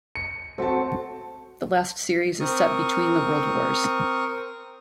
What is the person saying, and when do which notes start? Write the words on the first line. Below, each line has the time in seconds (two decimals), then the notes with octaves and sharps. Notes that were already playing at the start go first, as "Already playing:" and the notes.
The last series is set between the world wars.
0.15 C#7
0.58 A3 C4 F#4 A5
2.40 C4 A#4 C#6 D#6